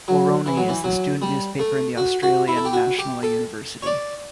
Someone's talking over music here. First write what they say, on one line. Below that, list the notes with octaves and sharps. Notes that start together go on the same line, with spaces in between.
"Woroni" is the student newspaper of the Australian National University.
F#3
E3
F#3
E3
F#3
G3
A3
F#4
F#4
E4
A4
G4
F#4
G4
A4
C#5
D5